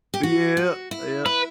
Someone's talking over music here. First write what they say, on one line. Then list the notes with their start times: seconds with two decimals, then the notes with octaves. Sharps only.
Oh yeah, yeah,
0.14 G4
0.23 F#4
0.57 F#4
0.91 E4
1.26 E4 B4